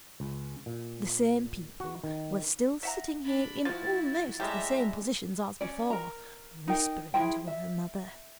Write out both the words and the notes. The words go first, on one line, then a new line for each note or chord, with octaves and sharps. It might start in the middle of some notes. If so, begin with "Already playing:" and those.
The same people were still sitting here in almost the same positions as before, whispering to one another.
C#2
A#2
F#4
D#3
E5 F#5 A#5
D4 B5
F3 E4 F#4 A6
A2 G3 G#3 G4 E5 A#5
C#4 D5
A#4 A#5
D#4 A#4 G5
E4 G#4 C5 G5
E5